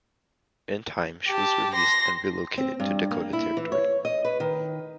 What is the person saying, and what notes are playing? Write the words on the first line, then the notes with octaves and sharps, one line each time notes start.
In time she was released and relocated to Dakota Territory.
G4 A5
C6 A#6
C4
G2
A#3
E4
E3
C#5
D#5
B4
D#3